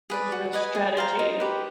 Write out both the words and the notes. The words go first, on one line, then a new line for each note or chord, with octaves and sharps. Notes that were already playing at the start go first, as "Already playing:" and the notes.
There's real strategy,
G#4 B4 D5
F#4
B4 D#5 G#5
G#4
C5 F5 A#5
D#4
G4 B4